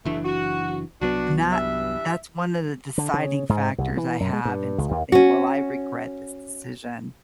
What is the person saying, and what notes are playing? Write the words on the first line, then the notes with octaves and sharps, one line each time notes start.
And that that's one of the deciding factors I have in something, "Will I regret this decision,"
F#1 B2 E3 A3 D4
F#4
C2 F#3 B3 D4 F#4
G2 E3 E5
D3
C#3
G#2
C2
E3
F#2
G#3
G2
C#2
D#2
C#4 F#4